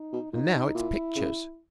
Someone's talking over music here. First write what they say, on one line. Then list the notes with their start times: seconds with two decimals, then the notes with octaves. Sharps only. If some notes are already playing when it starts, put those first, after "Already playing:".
And now it's pictures.
Already playing: D#4
0.13 B2
0.33 A#2 D#4
0.74 A#2 E4
1.16 C#3